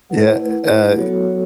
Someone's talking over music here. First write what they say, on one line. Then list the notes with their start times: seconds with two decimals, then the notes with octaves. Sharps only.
Yeah, uh uh
0.10 A3 E4 B4 F#5
0.98 F#3 B3 F#4 A4 C#5